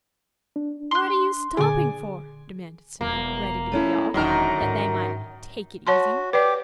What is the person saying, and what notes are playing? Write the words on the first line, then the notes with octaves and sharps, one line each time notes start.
"What are you stopping for?" demanded Sam, ready to be off, that they might "take it easy."
D4
C6 F#6
A#2 D3 G#4 D5 G#5
E1 A#3
A3 C#4 E4
E1 F#2 D3 D#3 D4 D#4 A#4
G#2
F#4 C#5 A5 C6
G4 B4 D5 D6